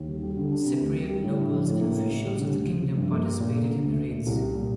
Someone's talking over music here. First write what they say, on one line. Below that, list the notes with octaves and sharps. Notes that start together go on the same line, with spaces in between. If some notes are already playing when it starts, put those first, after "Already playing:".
Cypriot nobles and officials of the kingdom participated in the raids.
Already playing: D#2
G3
G3
D3
D4
C3
D2
G3
G3
A2
D4
F3
A2
A#3
A2
A1
G3
D3
D2
F3
F3
G2
A#3
G3
A#2
A#3
D3
D2
A3
A#2
C2
G3
A#2